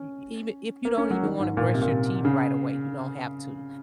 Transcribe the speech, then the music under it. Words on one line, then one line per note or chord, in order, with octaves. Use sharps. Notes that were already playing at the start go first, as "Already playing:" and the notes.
E even if you don't even wanna brush your teeth right away, you don't have to,
Already playing: C#4
A#3
C#4
F#3
D#3
G#2
A#2
C3
A#2
C3
C#3